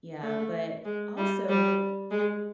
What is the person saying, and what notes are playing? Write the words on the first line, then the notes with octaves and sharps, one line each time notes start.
yeah. But also
A3
G#3
G3
G3
G#3